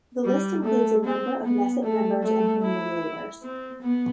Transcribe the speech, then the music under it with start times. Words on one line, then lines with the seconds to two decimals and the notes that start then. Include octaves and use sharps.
The list includes a number of Knesset members and community leaders.
0.24 G3
0.64 A3
1.04 C4
1.44 B3
1.84 A3
2.23 A3
2.63 E4
3.42 C4
3.82 B3